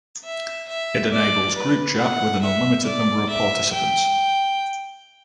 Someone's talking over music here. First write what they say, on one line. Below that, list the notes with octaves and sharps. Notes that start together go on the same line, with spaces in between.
It enables group chat with an unlimited number of participants.
E5
E5
D5
B4
F#5
E5
D5
E5
G5